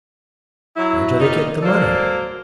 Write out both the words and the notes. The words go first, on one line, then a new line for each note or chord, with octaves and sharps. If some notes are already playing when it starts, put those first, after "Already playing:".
"Where do they get the money?"
F#3 E4
A#2 D#4
F#3 A#3 A4 C5 D5